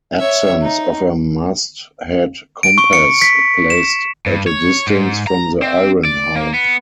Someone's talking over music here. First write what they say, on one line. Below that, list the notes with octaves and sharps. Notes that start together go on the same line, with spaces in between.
Absence of a mast head compass placed at a distance from the iron hull.
C#5 E5
D#4
D7
C#6
C#7
B6
E7
G2
C#5
G#2
A#5
C4
D5
A#3
B3